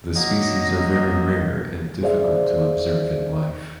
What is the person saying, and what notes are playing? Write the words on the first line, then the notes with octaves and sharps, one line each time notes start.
The species are very rare and difficult to observe in life.
F#3 A#3 D#5
G#4 C5 D5 E5 F5